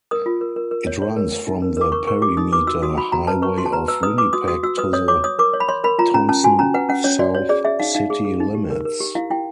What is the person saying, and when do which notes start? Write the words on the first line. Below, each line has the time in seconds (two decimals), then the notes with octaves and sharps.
It runs from the Perimeter Highway of Winnipeg to the Thompson south city limits.
0.11 A#4 D#6
0.26 F4
0.41 A#4
0.56 A#4
0.71 A#4
0.87 C#5
1.02 C#5
1.17 A#4
1.32 A#4
1.47 D#4
1.62 A#4
1.77 A#4 D6
1.92 A#4 C#6
2.07 A#4 C#6
2.22 G4 D6
2.37 D#4 D#6
2.52 B4 D6
2.67 F#4 E6
2.82 F#4 D#6
2.97 F#4 B5
3.12 F#4 A#5
3.27 B4 A5
3.42 B4 C#6
3.58 F#4 C6
3.66 A5
3.72 B4 A#5
3.88 B4 E6
4.03 B4 D#6
4.18 B4 D6
4.33 F#4 D#6
4.48 F#4 D#6
4.63 F#4 E6
4.78 B4 D#6
4.93 C#5 D#6
5.08 C#5 D6
5.24 C#5 D#6
5.39 A#4 D6
5.53 C#5
5.60 B5
5.68 C#5 C6
5.84 A#4 B5
5.99 F4 A#5
6.14 C#4 A#5
6.29 C#4 A5
6.44 F#4 G#5
6.59 C#4 A#5
6.74 B4 F#5
6.89 C#4 F#5
7.04 C#4 C#5
7.19 F#4 D5
7.35 C#5
7.49 G#4 D5
7.65 G#4 E5
7.80 D#4 F5
7.95 D#4 F5
8.10 G#4
8.25 G#4
8.40 D#4
8.55 G4
8.70 A#4
8.85 A#4
9.00 G4
9.15 E4 F5
9.30 E4 G5